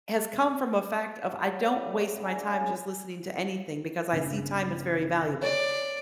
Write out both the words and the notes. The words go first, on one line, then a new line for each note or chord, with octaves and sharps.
has come from a fact of I don't waste my time just listening to anything because I see time as very valuable.
A2 F#3 G5 A5
E4 D5 F5
C3 E5
D3 G#4 B4
G#3 A#3 C#4
C#3 A4 B4
G1 C#3
C#5 D5